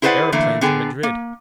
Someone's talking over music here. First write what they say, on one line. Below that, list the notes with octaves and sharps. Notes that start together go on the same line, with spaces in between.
Aeroplanes at Madrid!
E4 G#4 B4 C5 D5 F#5
D3 E3 A3 A#3
D3 B3 G#4 G5
A#3